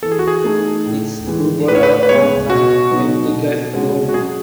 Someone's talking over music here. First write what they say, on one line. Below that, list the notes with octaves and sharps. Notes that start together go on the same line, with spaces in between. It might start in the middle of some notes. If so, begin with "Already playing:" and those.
Its cupola forms an elliptical dome.
E3 A4
G#4
F#4
G#4
A3 D#4 A4
A2
E3 G#3
A2 B4
C#5
B4
B4
G#3 B3 C#5
B2 F#4
F#3 B3 D#4
B2
G#3 C#4 F#4
F#4
F#3 G#4